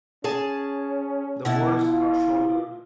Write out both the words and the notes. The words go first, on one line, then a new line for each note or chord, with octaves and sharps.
The whorls are shouldered.
C#4 G#4 A5
B2 E4 F#5
F4